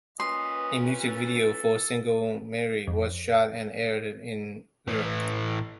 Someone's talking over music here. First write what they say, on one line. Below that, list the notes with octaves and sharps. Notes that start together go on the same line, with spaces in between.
A music video for the single "Merry" was shot and aired in Europe.
A#2 C#4 B4 D#5 C6
A4
F2
A2 E3